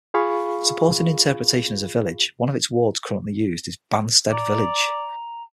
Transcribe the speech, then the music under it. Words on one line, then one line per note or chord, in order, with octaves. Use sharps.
Supporting interpretation as a village, one of its wards currently used is "Banstead Village".
F4 G#4 F5 B5 C#6
D5 A#5